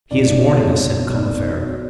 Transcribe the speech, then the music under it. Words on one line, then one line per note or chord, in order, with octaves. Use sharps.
"He is warning us," said Combeferre.
B1 D5
B1
C#5
B2
B1 C#5
B2
B1
B1 D5
B1
B2
B2 C#5